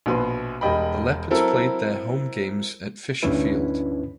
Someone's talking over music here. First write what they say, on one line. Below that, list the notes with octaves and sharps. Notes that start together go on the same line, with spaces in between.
The Leopards played their home games at Fisher Field.
A#1 B2 B4 C6
E1 G3 D#5 G5 B5
F#3 C4 E4 A4 A#4
D2 G2 C#4 D4 E4 B4